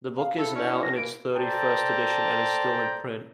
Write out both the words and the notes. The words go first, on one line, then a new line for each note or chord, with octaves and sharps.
The book is now in its thirty-first edition and is still in print.
F5
E4 A4
C#4 D4
A2 C#4 A#6
E3 A#3 D7
A4 C5 D5 G5 A5 A#5